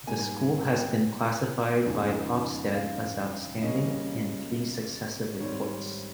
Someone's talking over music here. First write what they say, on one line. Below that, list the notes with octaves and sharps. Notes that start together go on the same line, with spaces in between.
The school has been classified by Ofsted as 'Outstanding' in three successive reports.
G#2 G3 A#3 G#5
G#5
G5
F2 C#3 G#3 D#4
F5
C#3 G3 A#3 C#4 D#5
G#2 D#3 G3 C4 C#5